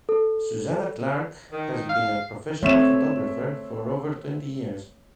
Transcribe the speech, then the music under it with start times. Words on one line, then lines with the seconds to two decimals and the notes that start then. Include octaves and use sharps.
Suzanna Clarke has been a professional photographer for over twenty years.
0.09 A4
1.52 D#3
1.89 F5
2.63 A3 C4 C#5 E5 E7